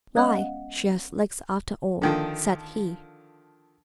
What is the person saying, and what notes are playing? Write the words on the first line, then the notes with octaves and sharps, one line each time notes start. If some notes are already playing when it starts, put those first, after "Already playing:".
"Why, she has legs after all," said he.
G#3 B3 C#4 D#5 F5 F#5
D3 D#3 F3